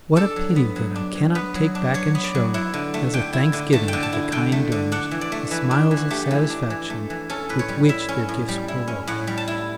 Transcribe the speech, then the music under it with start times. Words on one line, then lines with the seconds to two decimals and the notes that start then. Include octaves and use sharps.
What a pity that I cannot take back and show, as a thanksgiving to the kind donors, the smiles of satisfaction with which their gifts were welcomed.
0.16 D4 A4
0.36 F#3
0.56 B3
0.76 F#3
0.96 D4
1.15 F#3
1.35 B3 B4
1.55 F#3
1.75 D4
1.94 F#3 C#5
2.15 B3
2.24 D5
2.35 F#3
2.54 E4 F#5
2.74 D3
2.94 A3
3.13 D3 G5
3.33 E4
3.53 D3
3.73 A3 A5
3.88 D3 G5
4.03 A5
4.13 E4
4.32 D3 G5
4.52 A3
4.72 D3
4.92 D4 F#5
5.11 E3
5.21 D5
5.32 A3
5.51 E3 B4
5.71 D4
5.91 E3
5.97 F#4
6.11 A3 G4
6.31 E3
6.50 D4
6.70 E3
6.90 A3
7.10 E3
7.30 C#4 A4
7.49 A2 B4
7.59 C#5
7.69 G3
7.89 E4 E5
8.09 C#4
8.29 A2
8.48 G3
8.68 E4
8.88 C#4
9.07 A2 F#5
9.27 G3
9.37 A5
9.48 E4